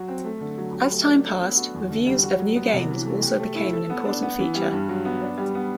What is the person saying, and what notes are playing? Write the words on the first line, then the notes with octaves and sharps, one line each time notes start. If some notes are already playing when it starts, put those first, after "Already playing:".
As time passed, reviews of new games also became an important feature.
Already playing: F#3 F#4
C4
A3
D3
F#3
G4
A3
D4
A4
B3
F#4
E2
D3
G3
F#4
F#3
B3
C3
E3
A3
G4
A3
E4
A4
B3
D4
B3
E3
G3
G2
F#3
B3
D4
G3
B3